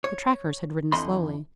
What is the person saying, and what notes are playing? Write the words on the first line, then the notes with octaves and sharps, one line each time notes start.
The trackers had ridden slowly.
C#5
F2 D3 E3 D#5 B5 C6